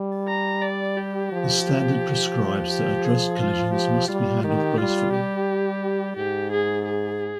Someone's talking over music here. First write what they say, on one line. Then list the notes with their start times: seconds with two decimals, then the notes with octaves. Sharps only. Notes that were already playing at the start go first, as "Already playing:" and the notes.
The standard prescribes that address collisions must be handled gracefully.
Already playing: G3
0.28 A#5
0.62 D5
0.97 G4
1.32 F3
2.70 G4
3.05 G#4
3.40 F4
3.74 G4
4.09 G3 F4
4.44 D#3 G4
4.78 G3 F4
5.13 G4
6.17 G#2 G4
6.52 G#4
6.86 G#4